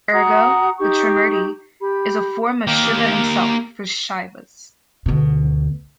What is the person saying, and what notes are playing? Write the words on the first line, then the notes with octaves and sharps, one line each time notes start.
Ergo, the Trimurti is a form of Shiva Himself for Shaivas.
F#4 F#5 A#5 D#6
D#4 G4 C#6
G4 B5
A#3 G4
D2 B2